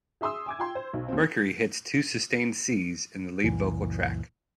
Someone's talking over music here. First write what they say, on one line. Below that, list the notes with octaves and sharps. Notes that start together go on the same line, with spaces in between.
Mercury hits two sustained Cs in the lead vocal track.
G#4 E5 C6 D#6 E6
G#5 D6 G#6
F4 G5 C6
C5
B1
D#2 C4
C#2 F#2 A#2 E3